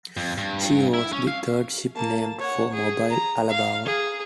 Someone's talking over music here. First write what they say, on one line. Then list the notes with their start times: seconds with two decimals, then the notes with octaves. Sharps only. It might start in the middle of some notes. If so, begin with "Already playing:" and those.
She was the third ship named for Mobile, Alabama.
0.17 F2
0.38 G2
0.94 E4
1.12 C#4
1.27 F5
1.96 A#3 A5
2.40 C#5 F#5
2.73 G#4
3.10 A#5
3.50 F5
3.85 G#4